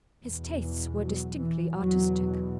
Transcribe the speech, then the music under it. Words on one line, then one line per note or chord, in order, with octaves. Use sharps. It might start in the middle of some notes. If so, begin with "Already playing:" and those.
His tastes were distinctly artistic.
E2 B2
E3
F#3
E3
E2 B2 F#3